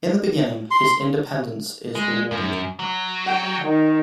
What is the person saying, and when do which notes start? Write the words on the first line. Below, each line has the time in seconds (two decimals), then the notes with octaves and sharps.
In the beginning, his independence is rewarded.
0.71 C6
1.95 G#3
2.31 F#2
2.80 F#3
3.26 G5
3.65 D#3